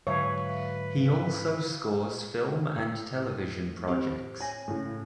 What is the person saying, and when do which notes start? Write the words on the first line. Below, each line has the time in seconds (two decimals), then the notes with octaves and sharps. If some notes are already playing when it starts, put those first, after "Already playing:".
He also scores film and television projects.
0.07 G#2 D3 F#3 B4 C#5 E5 F5
2.76 A2 G5 E6
3.29 A#4
3.88 C4 G4 C5
4.40 C#5 G#5 A#6
4.68 A2 C#3